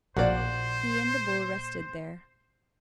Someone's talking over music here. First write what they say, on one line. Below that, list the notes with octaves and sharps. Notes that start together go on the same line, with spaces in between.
He and the bull rested there.
A#1 A#2 A#3 F#4 C5 D5